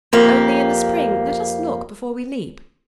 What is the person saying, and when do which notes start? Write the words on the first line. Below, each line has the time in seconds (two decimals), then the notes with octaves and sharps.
Only, in the spring, let us look before we leap.
0.13 F2 A#3 G4